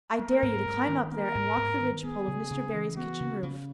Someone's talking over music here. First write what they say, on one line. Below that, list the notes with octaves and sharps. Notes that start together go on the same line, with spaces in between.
"I dare you to climb up there and walk the ridgepole of Mr. Barry's kitchen roof."
A#3 A#4
G#2
G#2
D#3
A#3 A#4
G#2
G#2
D#3
B3 G#4
C#3
C#3
E3
B3 F#4
C#3
C#3